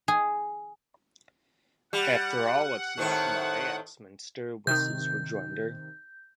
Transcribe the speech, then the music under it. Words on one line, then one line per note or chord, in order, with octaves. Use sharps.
"After all, it's not my Axminster," was his rejoinder.
G#4
G3 F#5
A2 D#3 C4
C3 D#3 G6